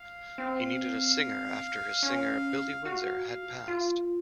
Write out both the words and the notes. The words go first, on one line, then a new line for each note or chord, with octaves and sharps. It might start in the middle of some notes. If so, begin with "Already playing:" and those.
He needed a singer after his singer, Billy Windsor, had passed.
Already playing: F5
C4
C#4
F#4 F5
F5
F4